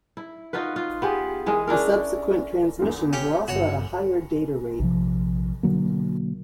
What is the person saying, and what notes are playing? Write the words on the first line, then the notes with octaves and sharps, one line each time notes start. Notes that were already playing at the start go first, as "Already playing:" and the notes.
The subsequent transmissions were also at a higher data rate.
E4
D#4 F4 F#4 B4
F4
B3 G4 G#4
E3 G#3 G#4 A#4
C#4 D4 E4 A#4
E2 D3 F4
C#4 G4 G5
G1 F#4 C#5
A#1 C3 F3
B2 D3 F#3 A#3